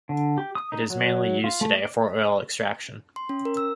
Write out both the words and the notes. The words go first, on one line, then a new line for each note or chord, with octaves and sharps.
It is mainly used today for oil extraction.
D3
G4
D#6
D#4
F#3
F4
A3
D5
C6
C#4
A#4
E6